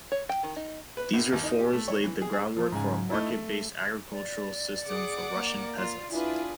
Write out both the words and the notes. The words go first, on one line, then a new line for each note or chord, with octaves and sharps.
These reforms laid the groundwork for a market-based agricultural system for Russian peasants.
C#5
G5
D#3
D#4
B4
A#1
D#2
D#4
G4
A3
C#5
E3
G#4
G#4
F3
G#2 C#3 G#5
A3 D#4 E4
A3
D5
G#4 F#5 D6 C#7
A#3
F4
D4 E4 F4 G#4 B4